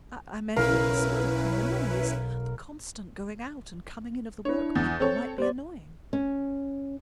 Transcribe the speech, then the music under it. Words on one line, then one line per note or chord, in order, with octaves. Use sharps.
'I meant that the smoke and the noise--the constant going out and coming in of the work-people, might be annoying!'
B1 C#4 E4 A#4 B4 F5
D4 E4 C#5
E2 G6 A6
C4 A4 C#5
G3 C5 D5
C#4